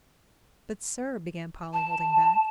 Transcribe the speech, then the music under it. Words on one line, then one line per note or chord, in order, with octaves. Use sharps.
"But, sir--" began Polly, holding back.
A5